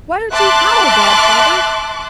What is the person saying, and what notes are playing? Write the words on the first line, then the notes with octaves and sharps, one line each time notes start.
'Why don't you howl, godfather?
E5 A5 C6 D6 F#6